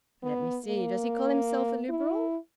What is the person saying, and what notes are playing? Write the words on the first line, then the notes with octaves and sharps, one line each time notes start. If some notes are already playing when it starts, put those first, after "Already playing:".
"Let me see, does he call himself a Liberal?"
B3
A#3
E4